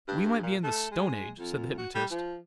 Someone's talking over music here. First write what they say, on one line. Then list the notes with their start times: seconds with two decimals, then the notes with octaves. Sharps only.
"We might be in the Stone Age," said the hypnotist.
0.08 G2
0.43 A#2
0.64 A3
0.92 G#3
1.39 F2
1.78 F#4
1.95 G3
2.11 F3